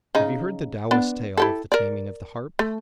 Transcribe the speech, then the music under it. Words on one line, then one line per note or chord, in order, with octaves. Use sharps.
Have you heard the Taoist tale of the Taming of the Harp?
C#3 D#4
B3 D4
E4 G4 A4
A#4 D5
A3